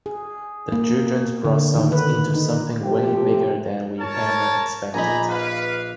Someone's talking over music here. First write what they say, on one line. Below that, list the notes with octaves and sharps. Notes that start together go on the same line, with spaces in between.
The Jugend blossomed into something way bigger than we ever expected.
G#4
A#3
D3
D#3
B4
D#4
C3 F3 A3 G4
A#4 C#5 A5
A#1 D#4 G#5 A#5 B5
B4 F5